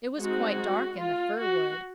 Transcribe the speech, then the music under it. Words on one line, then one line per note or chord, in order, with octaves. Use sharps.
It was quite dark in the fir wood.
G#3 C4 D#4 F#4
F4
F#4